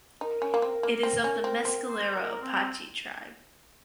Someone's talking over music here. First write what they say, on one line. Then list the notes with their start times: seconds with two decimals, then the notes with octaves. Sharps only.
It is of the Mescalero Apache tribe.
0.21 D#4 A#4
0.42 C#4
0.54 A#3
0.62 C4
0.83 A#3
1.03 C4
1.24 C#4
1.44 C4
1.65 C4
1.86 C5
2.14 A#4
2.40 C4